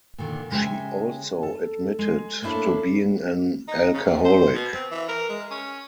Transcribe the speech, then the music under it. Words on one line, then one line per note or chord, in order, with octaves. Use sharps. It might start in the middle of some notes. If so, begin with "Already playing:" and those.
She also admitted to being an alcoholic.
A#2 D3 D#3
C#3 G#3 G4 G#4 E5 G#5
A4
G#3
A3 A#3 D4 E4 A4 C#5
D#4
C#3
C3
C5
B2
C4
E3
A#4
G#3
C#4